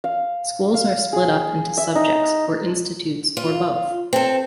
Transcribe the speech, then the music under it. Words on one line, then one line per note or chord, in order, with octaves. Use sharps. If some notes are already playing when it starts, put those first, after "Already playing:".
Schools are split up into subjects or institutes or both.
F5
F5
G#4
E5
D#4
F4
C4 A4